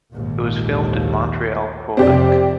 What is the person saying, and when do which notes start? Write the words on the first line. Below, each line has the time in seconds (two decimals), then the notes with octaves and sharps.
It was filmed in Montreal, Quebec.
0.13 A#1 D#2 G#2
1.97 F2 C3 C4 G4 D5